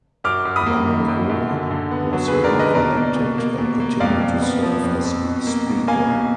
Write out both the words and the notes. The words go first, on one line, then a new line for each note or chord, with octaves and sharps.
Lamoureux was re-elected and continued to serve as Speaker.
F#2 D6 F6
F#2
B5 D#6
A#3
D#3
F#2
F#2
D3
D3
B3
F#3
G#4 B4
D3
A#4 D5
D3
B4 D#5
B2 A#4 D5
A#3
B2
A#3
B2
A#3
F2 D5 F5
F2
B3
F3
F2
F2
B2
A#3
B2
A#3 F5 G#5
B2